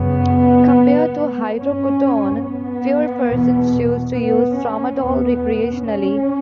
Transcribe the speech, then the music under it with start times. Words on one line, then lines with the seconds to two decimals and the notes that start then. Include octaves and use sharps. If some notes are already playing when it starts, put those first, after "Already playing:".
Compared to hydrocodone, fewer persons choose to use tramadol recreationally.
Already playing: F#2 C#3 B3
1.58 G2 C#4
2.42 B3
3.28 E2 B2
4.13 B3
4.54 C#4
4.97 E2 B2 B3
5.82 C#4